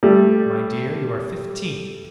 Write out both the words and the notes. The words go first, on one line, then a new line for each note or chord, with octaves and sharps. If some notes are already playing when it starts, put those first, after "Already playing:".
"My dear, you are fifteen."
G3 A3